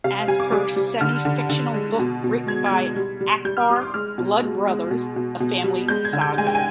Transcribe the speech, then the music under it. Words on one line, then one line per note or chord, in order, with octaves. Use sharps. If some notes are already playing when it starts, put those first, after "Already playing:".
As per semi-fictional book written by Akbar, "Blood Brothers" "- A Family Saga".
C3 F5
G3 G#5
D6
G3 D6
G3
D3 F6
D3
D3
G#3
B2
B2
G#3 G#6
G#6
G#3
G3
G3
G3 G6
F6
G3 D#6
C6
D6
G#3 F6
B2
G#3
G#3
B2
B2
B2
G3
G#3 G6
G#6
D3
G6
G#3 G#5
G5
G#5